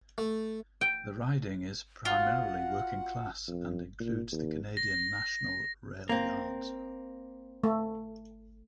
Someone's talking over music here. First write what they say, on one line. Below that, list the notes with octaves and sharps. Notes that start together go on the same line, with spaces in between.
The riding is primarily working-class, and includes the Canadian National rail yards.
A3
G5
F4 F#4 F5 F#5
F2
A#2
D#2
A#6
A#3 C4
A3